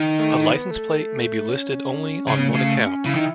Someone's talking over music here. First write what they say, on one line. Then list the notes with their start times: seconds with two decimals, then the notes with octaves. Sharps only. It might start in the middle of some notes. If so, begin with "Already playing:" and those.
A license plate may be listed only on one account.
Already playing: D#3
0.19 A3
0.45 B3
0.71 A3
1.49 C#4
2.27 C#3 C#4
2.39 B3
2.47 A3
2.54 C#3
2.67 A3
2.86 C#4
3.05 C#3 E4
3.15 D#3